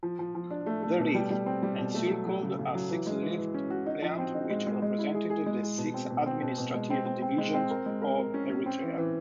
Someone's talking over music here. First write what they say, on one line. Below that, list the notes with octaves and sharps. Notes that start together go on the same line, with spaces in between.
The wreath encircled a six-leafed plant which represented the six administrative divisions of Eritrea.
F3
F3
F3
D4
A3
A3
B2
G3
G3
C4
G3
B2
A3
F#3
F#3
C#3
C#3
F#3
E3
G#3
E3
E3
C#4
F#4
D#4
F3
C4
D#4
G#3
G#3
G#3
E4
G#4
G#4
G#3
G#4
B2
C4
B2
C4
B2
B2
G#3
C4
C4
C4
G#3
C4
A#4
G#3
A#4
A#4
C#4
C#4
C4
E3
E3